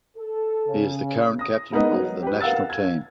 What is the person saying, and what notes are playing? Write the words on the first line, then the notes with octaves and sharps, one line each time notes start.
He is the current captain of the national team.
A4
C#3
D#6 A#6
G#3 B3 D#4 A#4 B4 D#5
F#3
G4 B4
A#4 F5 F#5 E6 A6
G#6